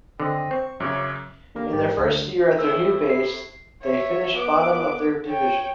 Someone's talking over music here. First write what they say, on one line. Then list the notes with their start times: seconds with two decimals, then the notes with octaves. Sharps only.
In their first year at their new base, they finished bottom of their division.
0.20 D3 C4 D#5
0.51 C4 C#6
0.80 F#2 C#3 C#5 E5 D6
1.55 D3 G3 A#3 A#4
1.73 G#2 G3 G4 D5
1.98 D2 D3
2.59 A2 C4 E4 E6
3.10 C7
3.82 C#5 E5
4.36 B3 D6
5.26 C#5 G5